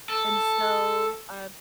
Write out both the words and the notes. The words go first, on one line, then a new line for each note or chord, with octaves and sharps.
And so, um
A4